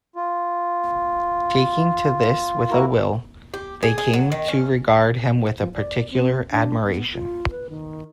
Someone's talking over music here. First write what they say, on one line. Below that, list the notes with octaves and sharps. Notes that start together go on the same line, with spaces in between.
Taking to this with a will, they came to regard him with particular admiration.
F4
A#3 E4 F#4 A#4
G4
G#4
G#4
F#3
D#3
C#4
F3
D5
C4
D4
B3
F4
B4
D#3